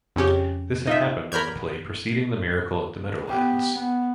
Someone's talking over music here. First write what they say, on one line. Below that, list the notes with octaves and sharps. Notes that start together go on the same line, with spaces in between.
This had happened on the play preceding The Miracle at the Meadowlands.
F2 C#3 C#4 G4
D#4 F4 E5
A#4 B5 F6 G6 G#6
B3 G4
B3